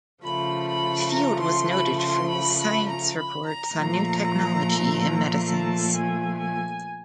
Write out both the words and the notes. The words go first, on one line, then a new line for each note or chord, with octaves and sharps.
Field was noted for his science reports on new technology and medicines.
C#3 F3 A3 B5
B5
A#5
C6
B5
C6
B5
B5
A#5
B5
A#5
A#2 F3 A3
A5
G#5
G#5